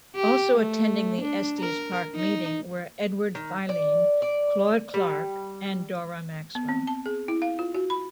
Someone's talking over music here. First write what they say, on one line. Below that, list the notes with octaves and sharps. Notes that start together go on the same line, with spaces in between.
Also attending the Estes Park meeting were Edward Filene, Claude Clark, and Dora Maxwell.
G4
A3
D4
A#4
D#4
D#3
D5
D5
G3
B3
C4
A5
G#4
E4
F5
F4
F#4
B5